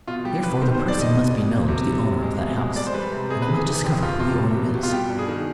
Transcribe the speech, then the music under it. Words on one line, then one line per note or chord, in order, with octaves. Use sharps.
Therefore, the person must be known to the owner of that house, and I must discover who the owner is.
B2 F4
G3 G4
B2 B4
D#3 C5
C5
F2
D5
G3 D#5
B2 D#5
B2
B2
C3
G3
C3
G#3
B2
G#3
G3 D5
C5
G3 B4
C3
C3 G#4
B4
D#3
G#4
C3
F2 G4
F2 F4
C3 F4
G3
B2
B2
F4
G3 G4
G2
G#4
D#3